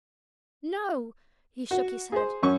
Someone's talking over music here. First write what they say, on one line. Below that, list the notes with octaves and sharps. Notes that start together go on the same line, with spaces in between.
"No," he shook his head.
F#4
G#4 C5
F#2 C#4 C#6